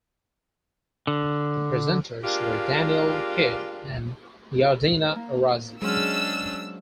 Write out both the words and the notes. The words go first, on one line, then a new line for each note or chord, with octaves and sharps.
The presenters were Daniel Pe'er and Yardena Arazi.
D3
G#3 A#3 D4 F4 G4
A#3
F#3 G#3 C#4 D4 C5 E6 F6